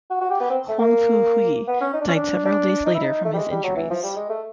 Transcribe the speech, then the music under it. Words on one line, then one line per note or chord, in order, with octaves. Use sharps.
Huangfu Hui died several days later from his injuries.
F#4
F#4
G4
B3
C4
A3
A#3
B3
C#4
D#4
D4
C#4
D4
D4
D#4
E4
D#4
A3
G3
G#3
G3
F#3
E3
F3
G3
G#3
A3